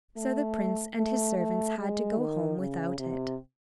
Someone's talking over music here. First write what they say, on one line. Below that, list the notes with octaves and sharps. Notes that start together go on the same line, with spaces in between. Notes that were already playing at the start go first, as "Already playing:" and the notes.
So the prince and his servants had to go home without it.
A3
A3
A3
G#3
D#3
C#3
C3